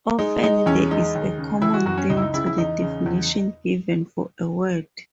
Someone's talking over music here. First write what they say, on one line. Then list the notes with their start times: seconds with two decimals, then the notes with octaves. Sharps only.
Often, there is a common theme to the definitions given for a word.
0.19 G#3 D#4
0.43 G#3 D#4
0.66 E2 C#4
0.91 G#3 D#4
1.15 D#2
1.38 C#3
1.62 E3 E4
1.74 F#4
1.86 F#2 F#4
1.98 C#4
2.10 C#2 D#4
2.17 E4
2.22 D#4
2.33 C#3 E4
2.46 E4
2.58 E2 D#4
2.82 C#3
3.06 E2